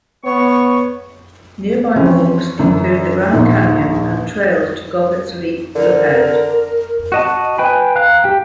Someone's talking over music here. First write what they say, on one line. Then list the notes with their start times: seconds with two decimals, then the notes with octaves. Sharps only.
Nearby walks include the Grand Canyon and trails to Govetts Leap lookout.
0.24 B3 C#5 C#6
1.96 E3 F3 C4 C#4
2.59 F#2 D3 E3
3.33 A#1 D#2
5.75 D3 A#4
7.12 F#4 D#5 A5
7.58 B4 G5 G#5 B5
7.96 F5 A#5 F#6
8.24 G4 G5